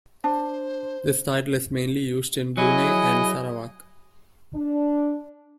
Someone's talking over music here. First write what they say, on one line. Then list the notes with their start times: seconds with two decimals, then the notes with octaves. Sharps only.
This title is mainly used in Brunei and Sarawak.
0.24 D4 C5
2.57 F#3 E4 G#4 D#5 G#5
4.55 D4